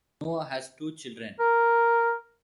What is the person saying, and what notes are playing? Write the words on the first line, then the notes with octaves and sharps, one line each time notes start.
Noah has two children.
A#4